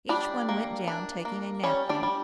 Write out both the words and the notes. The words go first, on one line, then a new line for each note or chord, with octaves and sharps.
Each one went down, taking a napkin.
G3 D4 D5
A#3
D4
A#3
G3 C#4 C#5
D4 D5
G3